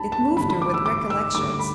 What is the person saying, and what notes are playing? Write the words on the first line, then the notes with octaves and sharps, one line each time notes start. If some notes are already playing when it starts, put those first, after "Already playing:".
It moved her with recollections.
Already playing: D2 D3 G3 A5 B5
A5
A1 G2 D3 G3 B5
B5
D6
E6
D6
E6
D2 D3 G3 D6
B5